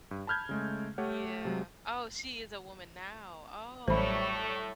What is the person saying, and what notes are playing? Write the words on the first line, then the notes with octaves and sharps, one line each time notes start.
Yeah. Oh, she is a woman now, oh, y
G2
A5 B5 F6 G6 G#6
C#3 G#3 A3
A3 G4 C#5 F#5
C3 F#3 G#3
A1 A2 F#3 G3 A3 C5 C#5 B5